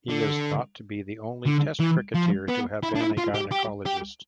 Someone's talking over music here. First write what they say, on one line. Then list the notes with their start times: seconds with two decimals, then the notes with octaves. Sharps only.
He is thought to be the only Test cricketer to have been a gynaecologist.
0.09 D3
1.46 D3
1.80 E3
2.15 F3
2.48 B3
2.83 E4
2.95 D4
3.01 E4
3.17 F4
3.34 G4
3.51 G4
3.86 G4